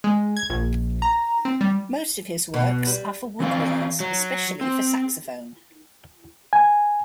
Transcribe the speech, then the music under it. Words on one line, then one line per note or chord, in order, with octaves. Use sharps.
Most of his works are for woodwinds, especially for saxophone.
G#3
G#6
A#1
A#5
C4
G3
B2
G3
E3 C4 F5
F#3
C4
G#5